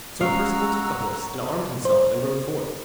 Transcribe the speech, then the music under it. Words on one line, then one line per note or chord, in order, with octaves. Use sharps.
So Perceval took the horse, and armed himself and rode forth.
G#3 C#4 F#4 F5 F#5 A#5 E6
C5